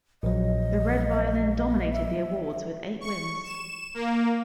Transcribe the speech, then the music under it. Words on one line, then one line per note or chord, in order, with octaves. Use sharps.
"The Red Violin" dominated the awards, with eight wins.
A#1 F#3 D#5
E5
C#6
E7
A#3